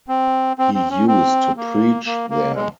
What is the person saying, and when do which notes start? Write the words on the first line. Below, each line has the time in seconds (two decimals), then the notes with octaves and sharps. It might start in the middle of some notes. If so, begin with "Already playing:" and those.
He used to preach there.
0.08 C4
0.58 C4
0.74 C4
0.90 C#4
1.08 C4
1.57 A#3
2.07 A#3
2.30 A#3
2.55 G#3